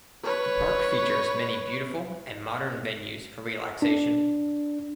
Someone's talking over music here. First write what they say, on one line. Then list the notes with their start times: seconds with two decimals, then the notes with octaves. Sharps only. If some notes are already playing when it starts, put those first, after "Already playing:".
The Park features many beautiful and modern venues for relaxation.
0.23 B4 C#5
3.82 D4